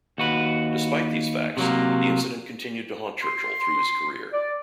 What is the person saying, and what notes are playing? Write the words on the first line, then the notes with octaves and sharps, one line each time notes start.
Despite these facts, the incident continued to haunt Churchill through his career.
D#2 F#4 B4
C3 F#3 A#3
C6
D5